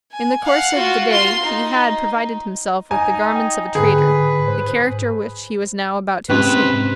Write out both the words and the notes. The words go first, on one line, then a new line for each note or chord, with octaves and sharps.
In the course of the day he had provided himself with the garments of a trader, the character which he was now about to assume.
G#5
F5 F#5
F4 F#4
F4 C6
D#4
D#4 G#5 A#5
G5
G#2 D3 G#4 B4
G#2 C5
G#2 C3 C#4 D4 B4 C6